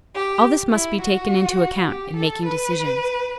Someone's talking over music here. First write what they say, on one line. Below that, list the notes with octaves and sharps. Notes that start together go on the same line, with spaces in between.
All this must be taken into account in making decisions.
G4
E4
F#4
G4
A4
B4